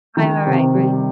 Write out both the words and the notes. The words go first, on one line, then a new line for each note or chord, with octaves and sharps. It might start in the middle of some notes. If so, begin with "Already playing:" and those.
I know, right, right.
D#3
C3
G3